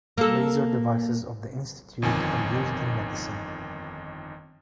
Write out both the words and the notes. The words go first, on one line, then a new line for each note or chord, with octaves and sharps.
Laser devices of the institute are used in medicine.
A#3 A4
G1 F2 D#3 G#5